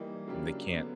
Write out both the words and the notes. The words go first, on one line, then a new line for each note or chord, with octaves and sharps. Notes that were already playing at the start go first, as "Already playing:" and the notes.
They can't
Already playing: E3 G3 A#3 D#4
C#3 F#3 A#3 D4 G4
D3 F#3 B3